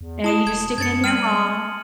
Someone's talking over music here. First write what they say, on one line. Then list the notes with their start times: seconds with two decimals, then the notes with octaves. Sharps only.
Eh, you just stick it in there raw
0.01 E2
0.24 E4 A5 D#6 E7
0.47 E1 G#6
0.78 F#2 G#6 A6 C#7
1.04 G3 F6 D#7 F#7